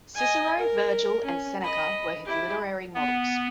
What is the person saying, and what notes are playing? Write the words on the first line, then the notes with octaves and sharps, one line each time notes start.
Cicero, Virgil, and Seneca were his literary models.
D#5 G#5
A#4
C#4
D#5 B5
E4 G4
B3